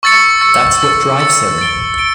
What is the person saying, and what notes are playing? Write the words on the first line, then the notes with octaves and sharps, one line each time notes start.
That's what drives him.
C#6 E6 A6 C#7
C#6 E6 A6 C#7
E6 A6 C#7
E6 A6 C#7
A6 D7 G7
D7 G7